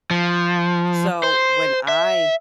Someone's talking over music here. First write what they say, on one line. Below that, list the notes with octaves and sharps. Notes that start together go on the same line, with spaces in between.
So, when I
F3
C5
E5